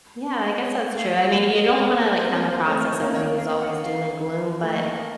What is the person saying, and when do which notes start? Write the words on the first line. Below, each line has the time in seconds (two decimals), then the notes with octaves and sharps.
Yeah. I guess that's true. I mean, you don't wanna, like, come across as somebody who's always doom and gloom, but,
0.61 C#5
0.96 A3 F5
1.30 A#3 F5
1.53 D#5
1.64 A#3
1.75 C#5
1.98 A#3 C#5
2.16 C5
2.24 C4
2.32 A#3 C#5
2.50 C5
2.67 A3 C4 C#5
2.91 C#5
3.02 A#3 C#4
3.13 C#5
3.36 F5
3.59 F#5
3.82 F5
4.63 A3
4.74 A#3 D#5